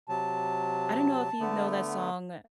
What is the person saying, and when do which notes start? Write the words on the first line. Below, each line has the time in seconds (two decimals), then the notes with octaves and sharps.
I don't know if you know that song,
0.09 C3 F#3 A5
1.40 D3 A3 B3